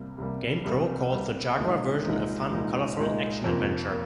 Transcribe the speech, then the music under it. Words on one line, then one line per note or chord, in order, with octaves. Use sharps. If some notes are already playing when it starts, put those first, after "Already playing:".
"GamePro" called the Jaguar version "a fun, colorful action adventure".
Already playing: C2 C3 G3 A#3
C2 C3 G3 A#3
C2 C3 G3 A#3
C2 C3 G3 A#3
C2 A#2 G#3 D#4
C2 A#2 G#3 D#4
C2 A#2 G#3 D#4
C2 A#2 G#3 D#4
F2 C3 F3 A#3
A#3